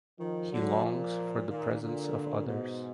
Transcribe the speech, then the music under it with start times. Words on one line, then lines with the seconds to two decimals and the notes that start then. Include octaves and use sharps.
He longs for the presence of others.
0.19 D#3 F3
0.52 D3 F#3
0.83 A#2 F3
1.48 A#2 D#3
1.81 A#2 D3
2.46 G#2 B2